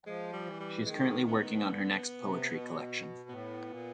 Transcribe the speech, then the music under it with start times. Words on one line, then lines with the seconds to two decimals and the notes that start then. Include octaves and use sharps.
She is currently working on her next poetry collection.
0.06 F3 G#3
0.33 G3
0.46 E3
0.60 G3
0.86 D#3 G#3
1.27 B3
1.68 D3
2.21 C3
2.48 B2
3.29 A2 B3
3.69 A#2